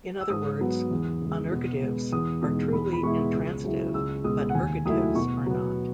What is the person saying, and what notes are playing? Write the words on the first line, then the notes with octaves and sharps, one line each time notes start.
In other words, unergatives are truly intransitive, but ergatives are not.
E6
G#2 D#6
F#3 B3
E2
C#3 G#3
B2
G#3 B3
E2 D#6
B2 G#3 D#4 D#6
E2 B5
B5
B2 G#3 B3 E4 C#6
C#2
C#3 F#3 C#4 E4
C#2 E6
B2 G#3 D#6
F#5
D#2 G#5
D#3 F#3 A3 E4 D#6
B2 C#6
F#3 B3